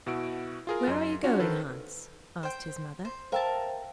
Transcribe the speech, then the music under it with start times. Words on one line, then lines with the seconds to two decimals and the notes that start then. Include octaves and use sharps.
'Where are you going, Hans?' asked his Mother.
0.06 B2 E4 F#4 E6 D7
0.67 F4 G#4 A#4
0.88 F#2 D#5 C6
1.24 C#4 D4 F4 F#4
1.39 D#3 A4 B4 C5
2.43 C5 G5
3.05 C5
3.32 A#4 C5 E5 F5 G5 A5